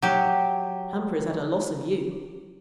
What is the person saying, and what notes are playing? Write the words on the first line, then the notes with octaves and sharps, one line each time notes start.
Hamper has had a loss of you.
F#3 G4